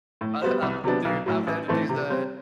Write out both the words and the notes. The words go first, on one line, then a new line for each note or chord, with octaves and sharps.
uh, uh dude, I've had to do that.
A2
G3 B3 F#4 C5
C2
C3 F#3 B3 D4
B1
A2 F#3
A1
A2 E3 A3 C4
C3
G3 C4